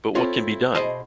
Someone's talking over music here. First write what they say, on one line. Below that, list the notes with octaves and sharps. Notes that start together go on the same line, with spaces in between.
But what can be done?
C4 E4 F4 A4 C#5
B2 E4 G#4 C5 D#5 A5